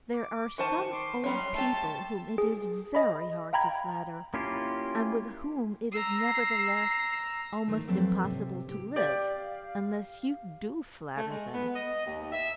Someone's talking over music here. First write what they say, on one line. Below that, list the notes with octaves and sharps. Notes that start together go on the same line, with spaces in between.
There are some old people whom it is very hard to flatter, and with whom it is, nevertheless, almost impossible to live unless you do flatter them.
D6
D#3 C5 A5 C#6 D#7
C6 D6
F#3 G3 C#4 B5 C6
A3 G4 A5
G#4
D#5 B5
F5 G5 A#5 B5 G#6
A#3 C#4 E4 F4 G4
A#5 E6 C7
D#3 A3 E4
F2 F#3 C4 A4 B4 G5
C3
E4 G4
G4 D5 F5
A3
G#3
B3
D#5
D#2
E5